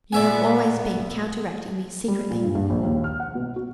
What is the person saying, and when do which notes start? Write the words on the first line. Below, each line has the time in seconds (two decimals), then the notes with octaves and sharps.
You have always been counteracting me secretly.
0.12 A#2 B3 D5 E5 G#5
2.08 G3
2.31 A#2
2.43 G2
2.55 G2
2.70 A#1
2.83 D#2
3.04 F6
3.20 F#5
3.35 B2
3.56 F#4